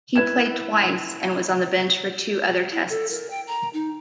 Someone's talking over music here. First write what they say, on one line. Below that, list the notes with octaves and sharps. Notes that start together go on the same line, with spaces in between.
He played twice, and was on the bench for two other Tests.
E4 B4 G#6 E7
E4
A4
A#4
G5
A#5
D#4